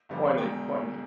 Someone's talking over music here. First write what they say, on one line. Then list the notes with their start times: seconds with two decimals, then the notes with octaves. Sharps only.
Corn leaf corn leaf.
0.09 G1 F2 D3 G3 B3
0.38 E1 E2 B2 G#3 G5